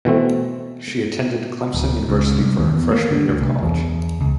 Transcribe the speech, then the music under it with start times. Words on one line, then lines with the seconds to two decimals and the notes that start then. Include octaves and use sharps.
She attended Clemson University for her freshman year of college.
0.05 B2 E3 A3 C4
1.74 D1
2.09 C#2
2.39 C2
2.58 D#2
2.74 E2
2.92 A#3
3.11 D3
3.28 D2
3.41 C2
3.63 E2
3.89 E2
4.21 C#2